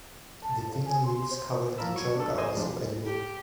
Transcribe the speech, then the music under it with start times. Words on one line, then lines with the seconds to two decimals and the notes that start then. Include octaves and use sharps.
The thin leaves covering the choke are also edible.
0.42 A5
0.68 F2
0.86 G#5
1.04 C6
1.30 C5
1.78 F3 A#3 A#4 A5 B5 E6
1.94 F#3 C#6 G#6
2.16 D4 A4
2.38 C5 D#5 G#5
2.55 F3 G3 G#3 D4
3.05 G4